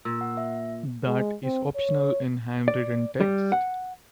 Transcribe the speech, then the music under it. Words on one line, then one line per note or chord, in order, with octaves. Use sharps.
That is optional in handwritten text.
A#2 E6
F#5
E5
G#3
C4
C#5
D5
G3
F#5